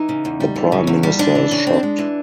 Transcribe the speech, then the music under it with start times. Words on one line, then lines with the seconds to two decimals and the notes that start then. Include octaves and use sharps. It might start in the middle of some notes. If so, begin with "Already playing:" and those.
The Prime Minister is shocked.
Already playing: E3 D#4
0.09 C#3
0.25 E2
0.40 G3
0.56 E3
0.72 C#3
0.87 E2
1.03 G3
1.19 G#3 D4
1.35 E3
1.51 C#3
1.67 C4
1.83 G#3
1.99 E3